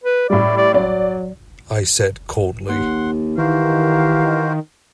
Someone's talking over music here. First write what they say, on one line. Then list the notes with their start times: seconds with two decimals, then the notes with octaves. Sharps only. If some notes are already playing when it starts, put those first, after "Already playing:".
I said coldly.
0.04 B4
0.30 A2 G3 D5
0.57 D5
0.74 F#3 D5
2.69 D#2 F#5 C6
3.38 D#3 E3 F#4 G4 A#4 C5 F5